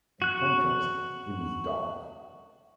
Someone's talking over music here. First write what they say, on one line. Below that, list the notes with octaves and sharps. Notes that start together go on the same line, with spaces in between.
In contrast, it is dark.
F#4 F#6